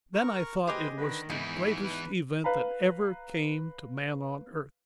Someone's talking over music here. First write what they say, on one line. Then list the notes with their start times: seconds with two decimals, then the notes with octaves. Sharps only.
Then I thought it was the greatest event that ever came to man on earth.
0.14 A#4 C#6
0.67 G4 G#4 B4 C5 D#5
0.98 D3 D#3 B4
1.30 E2 G#2 E3 D#4 B5
1.83 B4
2.44 B4 F5 A#5 B5